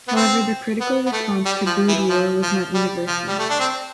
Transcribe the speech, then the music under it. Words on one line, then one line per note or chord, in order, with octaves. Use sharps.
However, the critical response to "Brood War" was not universal.
B3
C4
B3
B3
A3
G3
F3
E3
F3
F3
G3
F3
G3
A3
D4
C4